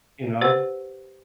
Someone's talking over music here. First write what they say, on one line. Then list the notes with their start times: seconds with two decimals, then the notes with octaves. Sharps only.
you know?
0.41 G4 B4 C5 F#5